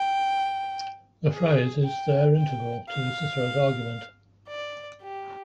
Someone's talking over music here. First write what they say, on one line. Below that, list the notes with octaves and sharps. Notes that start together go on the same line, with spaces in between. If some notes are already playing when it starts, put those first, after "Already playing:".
The phrase is there integral to Cicero's argument.
Already playing: G5
G#4
G5
G5
F5
D5
G4